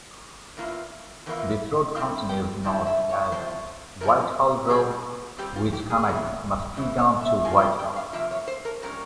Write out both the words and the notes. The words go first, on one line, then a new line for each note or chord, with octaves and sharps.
This road continues north as Whitehall Road, which connects Muskegon to Whitehall.
E2 E3 A#3 F4
E2 E3 A#3 F4
G2 G3 C4 E4 F5
G5
G2 G3 C4 E4
E5
C#5
E2 C3 F3 C5
E2 C3 F3 A#3 C#4 A#4
A#2 G3 C4 G#4
A#2 G3 C4 G4
F4
G4
G#4
E2 C#3 E3
E2 C#3 E3
C#5
E5
C3 F3 A#3 F4 G#5
G5
G5
F5
C3 F3 A#3 F4 E5
C#5
C5
A#4
A#2 G3 C#4 A#4